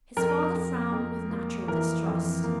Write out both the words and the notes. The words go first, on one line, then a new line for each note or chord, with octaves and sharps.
His father frowned with natural distrust.
F2 A#4
F2
F2
A#3
E3 A#4
F2
A#3